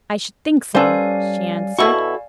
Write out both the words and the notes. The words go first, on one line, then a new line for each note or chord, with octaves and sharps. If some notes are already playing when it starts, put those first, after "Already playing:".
"I should think so," she answered.
G3 C#4 A4 B4 C5 D5 F5 G#5
B2 E4 F#4 A4 C#6